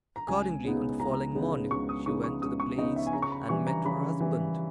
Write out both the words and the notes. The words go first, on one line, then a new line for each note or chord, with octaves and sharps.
Accordingly, on the following morning she went to the place and met her husband.
A#5
C#2 G#5
C#3 G#3 B3 D#4
C#2 A#5
C#3 G#3 B3 D#4
C#2 C#6
D#6
C#3 G#3 B3 D#4 C#6
C#6
C#2 D#6
C#6
C#3 G#3 B3 D#4 D#5
E5
G#5
C#3 A#5
C#6
B5
E3 G3 C#6
A#5
C#3 B5
E3 G3